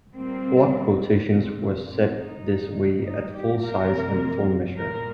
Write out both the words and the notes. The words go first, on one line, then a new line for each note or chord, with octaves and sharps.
Block quotations were set this way at full size and full measure.
A#2 G3 A#3 C4
A#2 A#3 C4
A#3
C4
D#4
G2 G3 A#3
D#4
G4
C3 F3 A#3 A#4
A#2 G3 A#3 A#4